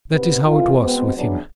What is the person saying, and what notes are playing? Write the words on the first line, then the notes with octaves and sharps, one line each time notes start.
That is how it was with him.
D#2 C3 B3
F2 A#2 E3 F4
B2 G#3 B3 C4
C#3 E3 F#3 B3 D4